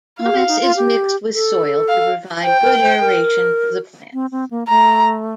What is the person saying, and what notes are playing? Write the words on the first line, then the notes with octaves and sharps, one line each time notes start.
Pumice is mixed with soil to provide good aeration for the plants.
A#3 F5
C4
D#4
F4
G4
A4
F5
C5 G5
A#4
C5
A#4
C4
C4
A#3
A3 A#5